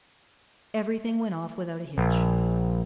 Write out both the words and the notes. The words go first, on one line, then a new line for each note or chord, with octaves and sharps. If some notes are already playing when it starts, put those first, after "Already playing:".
Everything went off without a hitch.
A#1